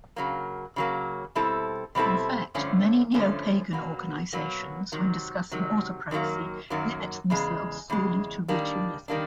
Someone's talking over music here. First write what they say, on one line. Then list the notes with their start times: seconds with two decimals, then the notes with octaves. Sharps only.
In fact, many Neopagan organizations, when discussing orthopraxy, limit themselves solely to ritualism.
0.16 C#3 F#3 A#3
0.76 C#3 F#3 A#3
1.35 B2 G3 C4 E4 A4
1.95 B2 G3 C4 E4 A4
2.54 G2 D3 F3 A3 C#4
3.14 G2 D3 F3 A3 C#4
3.73 B2 F#3 A#3
4.33 B2 F#3 A#3
4.92 C3 D#3 F#3
5.51 C3 D#3 F#3
6.11 F#2 D#3 F#3 A#3
6.70 F#2 D#3 F#3 A#3
7.30 E2 C#3 G#3
7.90 E2 C#3 G#3
8.48 D#3 G3 A#3 D4
9.08 D#3 G3 A#3 D4